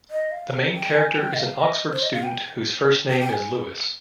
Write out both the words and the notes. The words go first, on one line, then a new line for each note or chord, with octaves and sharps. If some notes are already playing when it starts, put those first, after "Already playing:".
The main character is an Oxford student whose first name is Lewis.
D#5
F5
G5
G#5
G5
D#5
F5
D#5
C5
D#5
F5
G5
G5
G5
G#5